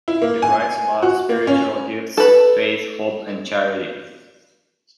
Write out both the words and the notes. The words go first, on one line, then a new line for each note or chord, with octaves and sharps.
He writes about spiritual gifts, faith, hope and charity.
E4
A#3
G#5
F#4
A#3
C#4
A4 B4